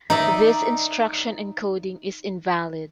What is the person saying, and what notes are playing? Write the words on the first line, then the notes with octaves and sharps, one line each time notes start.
This instruction encoding is invalid.
D#4 D5 E5